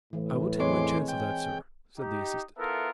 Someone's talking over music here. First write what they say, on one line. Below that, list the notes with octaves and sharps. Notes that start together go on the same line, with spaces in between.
"I will take my chance of that, sir," said the assistant.
A2 E3
E2 G#3 C4 C#5 G#5 C6 D6
G5
D#4 G4
B3 E4 F4 A4 A#4 E5